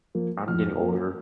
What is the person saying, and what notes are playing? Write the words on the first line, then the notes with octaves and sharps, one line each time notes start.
I'm getting older,
F3 A#3
F2 F6
F3 A#3